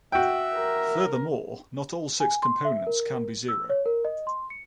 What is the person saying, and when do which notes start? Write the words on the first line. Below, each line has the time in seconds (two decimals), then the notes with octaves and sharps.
Furthermore, not all six components can be zero.
0.12 F#4 E5 G5
0.55 A#4
2.20 G#5
2.43 C6
2.65 E5
2.87 A#4
3.48 E6
3.70 C#5
3.86 A#4
4.05 D#5
4.27 C6
4.50 C#7